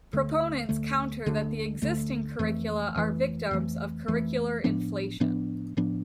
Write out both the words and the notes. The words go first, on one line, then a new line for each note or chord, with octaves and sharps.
Proponents counter that the existing curricula are victims of 'curricular inflation'.
D2 D3 A3
D2 D3 A3
D2 D3 A3
D2 D3 A3
F2 E3 A3
F2 E3 A3
F2 E3 A3
F2 E3 A3
A2 F3 B3 D4
A2 F3 B3 D4
A2 F3 B3 D4